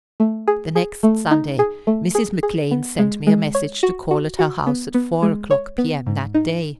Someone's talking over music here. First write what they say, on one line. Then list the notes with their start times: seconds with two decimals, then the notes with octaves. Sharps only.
The next Sunday Mrs. McClean sent me a message to call at her house at four o'clock P.M., that day.
0.20 A3
0.48 G#4
0.75 G#4
1.03 A3
1.31 D#4
1.59 G#4
1.87 A3
2.15 G#4
2.43 G#4
2.71 B3
2.99 G#3
3.27 G#3
3.55 C#5
3.83 F#4
4.11 F#4
4.39 F#4
4.67 B3
4.94 B3
5.22 G#3
5.51 C#5
5.78 B3
6.07 G#2
6.34 D#4